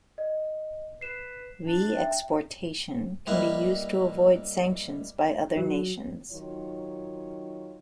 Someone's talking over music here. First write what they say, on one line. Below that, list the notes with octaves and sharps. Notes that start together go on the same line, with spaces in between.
Re-exportation can be used to avoid sanctions by other nations.
D#5
B4 C7 E7
D4
E5 G5
G3 A#3 E4 B4 D#5 E5
F#3
D#3 F#3 F4 C#5